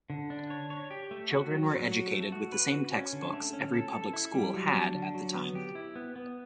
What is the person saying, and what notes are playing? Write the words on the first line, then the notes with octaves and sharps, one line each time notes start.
Children were educated with the same textbooks every public school had at the time.
D3
D4
C#5
C#5
G4
A3
F#4
F#3
F#3
F#4
A3
F#4
B4
F#4
C#4
D3
A3
C#4
A4
A4
E4
G3
F#3
D4
D3
F#3
B3
G4
E4
B3
B3